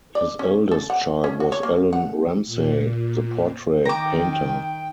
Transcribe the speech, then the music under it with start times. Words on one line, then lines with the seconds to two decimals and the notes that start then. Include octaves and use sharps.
His eldest child was Allan Ramsay, the portrait painter.
0.15 D5
0.39 C#4
0.71 A4
0.90 F#5
1.24 C#4
1.40 F#4
1.52 C#5
1.63 A#3
1.93 F#5
2.45 A#2
3.85 D#3 G5 A#5 D6